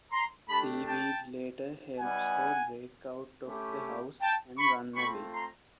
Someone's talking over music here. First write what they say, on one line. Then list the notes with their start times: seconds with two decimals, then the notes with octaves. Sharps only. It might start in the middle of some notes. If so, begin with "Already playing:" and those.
Seaweed later helps her break out of the house and run away.
0.12 A#5 C6
0.49 A3 D4 G4 A5 B5
0.87 G5 A5
1.99 G3 B3 D#4 F#5 G#5
3.47 A3 C#4 E4 G4
4.21 G5 A5
4.58 B5 C#6
4.96 A3 C4 F4 B5 C#6
5.34 A#5 C6